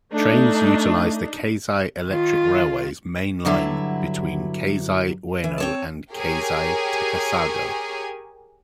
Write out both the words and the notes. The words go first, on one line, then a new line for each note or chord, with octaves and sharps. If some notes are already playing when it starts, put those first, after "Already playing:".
Trains utilize the Keisei Electric Railway's Main Line between Keisei Ueno and Keisei-Takasago.
A3 D4 D#4
D#3 F4
G2 D3 F#3 E4
E3
C4 C#5 A5
G4 G#4 A#4 C#5 G#5